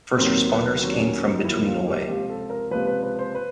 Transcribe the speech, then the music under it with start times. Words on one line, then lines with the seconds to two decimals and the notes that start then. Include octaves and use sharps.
First responders came from between away.
0.18 D#2 D#3 F#3 C4
0.49 B3
0.81 D#2 D#3 F#3 C4
0.93 D4
0.97 C#4
1.13 C#4
1.29 D#4
1.45 D#2 D#3 F#3 E4
1.66 F4
1.87 G4
2.08 C#2 C3 F3 G4
2.30 A4
2.50 A#4
2.71 C#2 C3 F3 B4
2.87 B4
3.03 B4
3.19 C5
3.35 B4